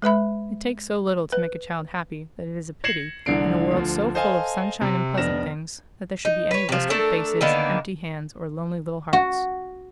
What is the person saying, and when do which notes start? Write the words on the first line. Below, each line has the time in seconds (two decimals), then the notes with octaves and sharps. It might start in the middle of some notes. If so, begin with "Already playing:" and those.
It takes so little to make a child happy that it is a pity, in a world so full of sunshine and pleasant things, that there should be any wistful faces, empty hands, or lonely little hearts.
0.02 G#3 B4 E5 B5
1.32 B4
2.84 G#6 A#6 C7 C#7 E7 F#7
3.26 C2 D3 E3 D4 C7 D7
3.74 D2 F3
4.14 A4 C5 D#5 F5 G#5 A5
4.81 C3
5.17 F1 B3 D4 F6 A#6 E7
6.25 D#4
6.51 B4 C#5
6.69 C3 F3
6.90 A3 D4 A4 A#4
7.41 D3 D#3 A#3 B3
9.13 F#4